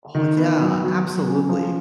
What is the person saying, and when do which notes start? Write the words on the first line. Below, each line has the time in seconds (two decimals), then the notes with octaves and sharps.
Oh, yeah, absolutely.
0.15 D#3
0.37 B3
0.60 F#3
0.82 F#3
1.04 F#3
1.28 C#4
1.49 F3